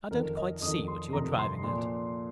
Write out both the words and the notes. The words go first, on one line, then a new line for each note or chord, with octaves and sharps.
"I don't quite see what you are driving at."
F2 D#3 A#4
D#5
F2 D#3 D#6
C6
F2 C3 D#3 A#5
C6
A#2 F3 C6